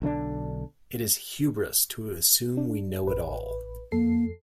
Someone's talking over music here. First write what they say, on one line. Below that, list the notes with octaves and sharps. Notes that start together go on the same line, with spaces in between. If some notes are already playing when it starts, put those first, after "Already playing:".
It is hubris to assume we know it all.
B1 D3 E3 D4
D4
A1 B4
F2 A#3 A4 C7